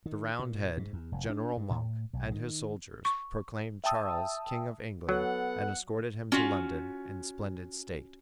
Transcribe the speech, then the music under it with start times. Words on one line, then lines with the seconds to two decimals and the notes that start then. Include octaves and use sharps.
The Roundhead, General Monk, and his soldiers proclaimed Charles King of England and escorted him to London in splendid state.
0.06 D#3
0.39 A#2
0.77 G#2
0.93 E2
1.12 F1
1.30 D4
1.57 G2
1.71 A2
2.13 B1
2.31 D#3
3.05 C#6
3.84 E5 G5 A5 D#6 E6
5.09 F#3 B3 A4 F#5
6.32 C#4 F4 F#4